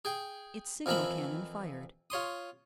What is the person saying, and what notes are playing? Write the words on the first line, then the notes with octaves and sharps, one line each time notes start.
Its signal cannon fired.
G#4 G5
F2 E3 F3 A#4 E5 B5
F4 C#5 C6 D#6